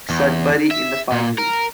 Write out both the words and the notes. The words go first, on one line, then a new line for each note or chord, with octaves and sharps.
Sudbury in the final.
E2
E5
A#2
A#4